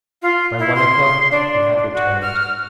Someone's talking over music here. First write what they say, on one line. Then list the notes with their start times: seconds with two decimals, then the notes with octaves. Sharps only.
By one o'clock we had returned.
0.22 F4
0.59 E4
0.75 C6
1.31 D4
1.93 F#4
2.21 F6